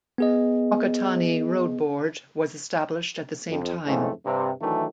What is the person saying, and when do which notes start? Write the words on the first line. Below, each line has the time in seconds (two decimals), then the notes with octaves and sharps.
Whakatane Road Board was established at the same time.
0.18 B3 G#4 D#5
3.50 F2
3.86 F2 G#2 C#3 E3 A3
4.26 G2 C3
4.61 D#3 E3 F#3 A3 D4